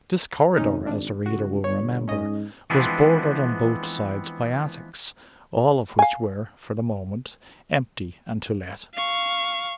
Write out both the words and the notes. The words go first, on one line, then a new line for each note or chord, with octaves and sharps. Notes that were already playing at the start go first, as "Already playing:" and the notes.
This corridor, as the reader will remember, was bordered on both sides by attics, all of which were, for the moment, empty and to let.
G#1 C3 C#4 D#4
D4
C#2 F#4
G1 C#5
G#2 C#4 D#5
E3 F3 G#3 B3 C4 D4
F5 G#5
F5 C#6